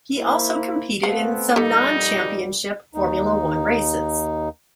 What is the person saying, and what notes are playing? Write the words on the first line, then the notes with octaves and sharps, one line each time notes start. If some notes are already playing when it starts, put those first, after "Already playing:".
He also competed in some non-Championship Formula One races.
A#3 E4 C5
A#2 A3 B3 C4 F5 F#5
F2 A#2 G3 D#4 G4 A4
D#2 D#4